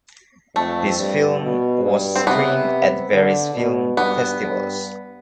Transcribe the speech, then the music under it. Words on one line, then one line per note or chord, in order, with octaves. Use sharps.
This film was screened at various film festivals.
F2 A3
G2
B2
G2
C4
C3 B3
D3
B2
G2 B3
G2